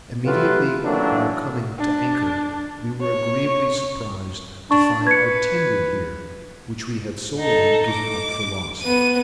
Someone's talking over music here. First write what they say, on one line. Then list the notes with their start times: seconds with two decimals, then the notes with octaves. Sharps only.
Immediately on our coming to anchor, we were agreeably surprised to find our tender here which we had so long given up for lost.
0.25 F#3 A3 E4 F4 G4 B4
0.84 D#3 E3 F#3 A3 A#3 D4
1.79 D4
3.02 C#5
4.71 D4 C#6
5.07 B4 G#6 C#7
7.39 D#4 A4
7.90 D6
8.82 B3 D#7